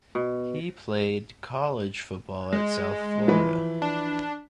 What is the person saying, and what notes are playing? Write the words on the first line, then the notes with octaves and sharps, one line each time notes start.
He played college football at South Florida.
B2
G#3
E3 F3 B4
D4